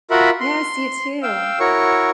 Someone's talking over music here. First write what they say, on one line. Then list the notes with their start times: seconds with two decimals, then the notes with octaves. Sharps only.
Yes, you, too.
0.11 F4 F#4 A#4 E5 F#5 B5
0.40 C6
1.23 F5 G5 E6
1.60 E4 F#4 A#4 C#5 C#6